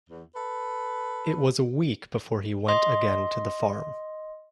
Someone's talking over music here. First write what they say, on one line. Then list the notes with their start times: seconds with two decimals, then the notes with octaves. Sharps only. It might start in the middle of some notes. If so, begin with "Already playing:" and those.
It was a week before he went again to the farm.
0.10 E2
0.34 A4 B4
2.68 D#5 C6